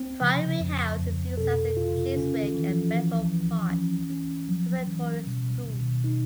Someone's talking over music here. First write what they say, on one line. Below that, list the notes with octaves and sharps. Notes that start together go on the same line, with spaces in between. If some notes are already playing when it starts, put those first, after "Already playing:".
Priory House is used as the Chiswick and Bedford Park Preparatory School.
Already playing: C4
C#3 F3
C3
C#3
F2
F2
B2 A4
B2
F4
C3
C#3 C#4
D#3
E3
F3
E3
E3
C#4
C#4
F3 F#3
E3 C#4
B2 G3
B2 D#3
D#4